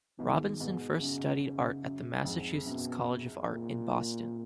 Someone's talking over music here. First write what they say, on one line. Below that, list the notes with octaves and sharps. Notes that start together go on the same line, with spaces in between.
Robinson first studied art at the Massachusetts College of Art in Boston.
G#2 B2 D#3
G#2 B2
F#2 C#3
F#2
F2 G#2
F#2 B2
A#2